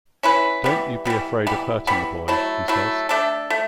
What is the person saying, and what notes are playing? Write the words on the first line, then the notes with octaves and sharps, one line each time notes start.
"Don't you be afraid of hurting the boy," he says.
C#4 E4 B4
E3 G3 B3
E3 G3 B3
E3 G3 B3
E3 G3 B3
F#3 A3 E4
F#3 A3 E4
A3 D4 A4
A3